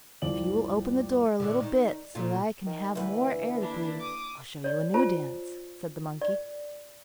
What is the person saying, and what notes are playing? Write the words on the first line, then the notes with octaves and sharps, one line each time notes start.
"If you will open the door a little bit so that I can have more air to breathe I'll show you a new dance," said the monkey.
C2 F2 F3 D5 F#7
A2 D3
D#3
A#2 A3 F4
D#3
D2 E3 B4
A#3 D4 E4
D6 D#6
C#5 D5
F4 C5 A5
D5